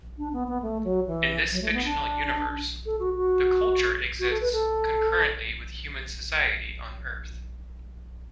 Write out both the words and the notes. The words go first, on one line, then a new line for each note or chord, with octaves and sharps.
In this fictional universe, the Culture exists concurrently with human society on Earth.
D4
B3
B3
A3
F#3
E3
F#3
A3
B3
D4
A4
F#4
F#4
F#4
A4
B4
A4